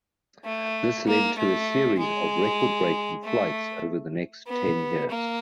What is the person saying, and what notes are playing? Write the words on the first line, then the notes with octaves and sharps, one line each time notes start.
This led to a series of record-breaking flights over the next ten years.
A3
A#3
A3
G#3
A3
B3
A#3